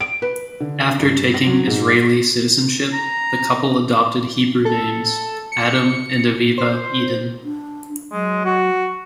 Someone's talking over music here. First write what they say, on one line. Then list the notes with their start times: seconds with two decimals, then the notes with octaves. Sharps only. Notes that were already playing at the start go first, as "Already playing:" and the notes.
After taking Israeli citizenship, the couple adopted Hebrew names: Adam and Aviva Eden.
0.01 D7
0.22 B4
0.60 D3
0.99 G2
1.34 A#6
1.46 F#3
1.67 G#2
2.93 A#5
4.65 A4
5.52 C#7
6.58 C5
7.44 D4
8.12 F#3 G#3
8.45 F#4